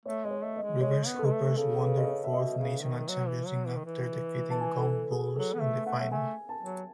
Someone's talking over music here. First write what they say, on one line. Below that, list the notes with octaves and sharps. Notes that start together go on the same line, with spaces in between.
Rivers Hoopers won their fourth national championship after defeating Gombe Bulls in the final.
A3 C#5
G#3 D#5
C#5
A3
D#5
G#3
G#3 C#5
B3
B4
A4
G#3
A3
C#3 A4
B4
D#5
C#5
E5
B2 D#5
C#3
D#3
F#3
E3
F#3
E3
D#3
E3
A5
G#5
A4
B4
G#4
F#3 A4
B3
A3 E5
A3 F#5
A3 G#5
A5
F#3